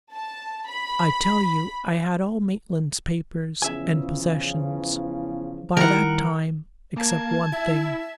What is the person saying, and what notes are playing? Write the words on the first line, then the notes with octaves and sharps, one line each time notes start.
I tell you I had all Maitland's papers and possessions, by that time--except one thing.
A5
B5
E2 C#3 F3 E5 G#5
D#3 G3 E4 A#4 F#5
A#3 A5 G#6
E4 E5